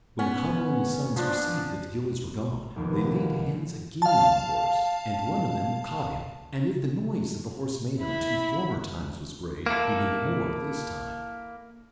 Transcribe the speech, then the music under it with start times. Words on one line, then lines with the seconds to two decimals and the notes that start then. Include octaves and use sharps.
When Conall and his sons perceived that the gillies were gone, they laid hands again on the horse, and one of them caught him; and if the noise that the horse made on the two former times was great, he made more this time.
0.19 B3 C#4
1.16 F3 D4
2.76 F1 D#2 B3
4.02 F5 A5
8.01 E4 B5
9.66 A#3 E4 A4